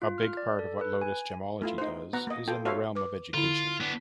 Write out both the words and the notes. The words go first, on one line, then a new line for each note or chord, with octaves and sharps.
A big part of what Lotus Gemology does is in the realm of education.
F4
F6
D5
A4
B4
G#5
A3 E4 F4
D#4 C5
B3 F#5 A#5
A#3 D#5
F4 A4 G5
F#4 A4 C5 C#5 E5 F5
B4 D6
D3 E4 F4
B3 D4